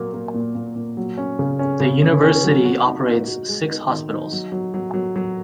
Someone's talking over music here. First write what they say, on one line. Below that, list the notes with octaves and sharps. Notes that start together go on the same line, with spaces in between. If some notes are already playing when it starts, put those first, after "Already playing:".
The university operates six hospitals.
Already playing: A#2 F#3 A#3
A#3
A#2
A#2
A#2
F#3
C#4
C#3
C#4
C#3
C#4
C#4
F#3
F#4
D#4
D#4
F#4
G#3
D#4
D#3
D#4
F#3
F#3
F#3
F#3
F#3